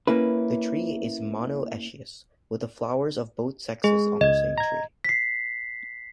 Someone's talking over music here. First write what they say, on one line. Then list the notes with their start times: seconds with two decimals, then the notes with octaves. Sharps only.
The tree is monoecious, with flowers of both sexes on the same tree.
0.07 A#3 C#4 E4 B4
3.84 G#3 G#4
4.21 C#2 D#5 G#6
4.58 A#5 G#6
5.04 B6 C7